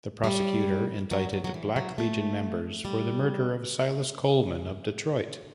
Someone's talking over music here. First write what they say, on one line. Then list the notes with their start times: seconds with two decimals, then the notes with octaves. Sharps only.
The Prosecutor indicted Black Legion members for the murder of Silas Coleman of Detroit.
0.24 G3
1.11 F#3
1.33 F#3
1.44 F#3
1.54 E3
1.76 F#3
1.98 A3
2.85 G3